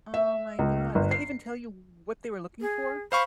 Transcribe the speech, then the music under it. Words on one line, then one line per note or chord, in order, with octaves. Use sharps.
Oh, my god, did they even tell you what they were looking for?
E5
C#2
G1
C7
G#4
C5 F5 B5 C#6